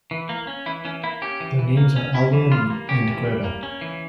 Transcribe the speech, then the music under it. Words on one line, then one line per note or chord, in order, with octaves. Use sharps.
Their names are Alwan and Greta.
E3
A#3
C#4
E3 E4
E3 C#4
A#3 E4
C#4 G4
E3
E3
A#3
C#4
C#4 E4
E3
G3 F4
A#3
C#4 G4
E3
G3
A#3
C#4
E3